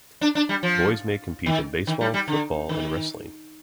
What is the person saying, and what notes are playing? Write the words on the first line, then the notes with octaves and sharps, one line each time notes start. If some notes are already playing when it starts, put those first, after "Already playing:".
Boys may compete in baseball, football, and wrestling.
D4
D4
G3
F3
D#3
D#3
G3
G3
D3
D#3